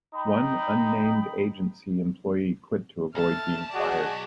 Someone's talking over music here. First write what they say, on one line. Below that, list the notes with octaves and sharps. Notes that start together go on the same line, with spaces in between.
One unnamed agency employee quit to avoid being fired.
D#4 G5 B5
B1 A3 A5 F6
F#4 G#4 D5 D#5 F#5